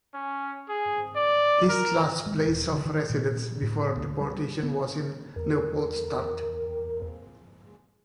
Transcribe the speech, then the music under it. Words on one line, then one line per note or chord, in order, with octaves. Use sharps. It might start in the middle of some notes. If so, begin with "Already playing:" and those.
His last place of residence before deportation was in Leopoldstadt.
C#4
G#4
D5
A#4
G#3
D#1
D3
D#3
A#2
A2
D2
G3
B3
E2 A#4